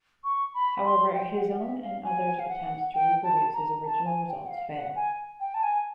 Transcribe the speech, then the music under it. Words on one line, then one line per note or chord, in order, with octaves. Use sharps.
However, his own and others' attempts to reproduce his original results failed.
C#6
B5
C6
G5
F#5
E5
F5
G#5
F5
F#5
G5
A5
A#5
A5
G#5
G5
F#5
F5
F#5
G#5
G5
A5
G#5